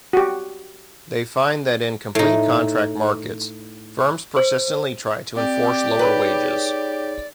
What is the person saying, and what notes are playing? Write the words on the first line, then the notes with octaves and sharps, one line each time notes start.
They find that in complete contract markets, firms persistently try to enforce lower wages.
F#4 G4
A2 D#4
C5
C4 G4 D5
D#4 G#4 B4 C#5